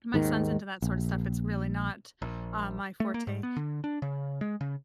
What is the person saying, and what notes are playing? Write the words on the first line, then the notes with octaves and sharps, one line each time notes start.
My son's into that sorta stuff, it's really not, um, my forte.
D#2 G#2 D#3
A#1
A#1
A3
A#3
G#2
B3
D3
D4
C#3
G#3
C#3